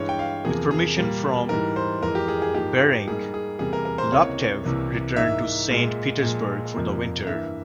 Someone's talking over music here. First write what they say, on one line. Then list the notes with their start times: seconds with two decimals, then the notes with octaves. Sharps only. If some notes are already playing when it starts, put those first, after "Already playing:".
With permission from Bering, Laptev returned to Saint Petersburg for the winter.
Already playing: G2 E3 G#3 C#5
0.09 G5
0.19 F5
0.45 E2 C3 F3 A#3 G#4
0.71 G#4
0.97 A#2 G3 A#3
1.49 G#2 E3 G3 A#4
1.76 C5
2.02 F2 E3 G#3 A#4
2.15 G4
2.28 G#4
2.42 G#4
2.54 G#2 F3 A#3 G4
3.07 G#2 G3 A#3 G#4
3.34 G#4
3.59 E2 C3 G3 A#3 G#4
3.73 A#4
3.85 A#4
3.98 C5
4.12 C#2 C3 E3 A#3 C#5
4.64 C2 C3 E3 A#3
5.16 G#2 E3 A#3 E5
5.70 A#2 G#3
6.22 A#2 F3 G#3
6.75 F2 C3 F3 A#3
7.27 G2 E3 A#3 E5